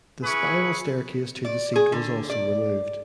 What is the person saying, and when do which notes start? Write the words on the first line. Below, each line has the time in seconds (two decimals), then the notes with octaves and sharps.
The spiral staircase to the seat was also removed.
0.23 E4 G#4 B4 G#5 C#6
1.45 D5
1.76 G#4
1.92 D3
2.30 D5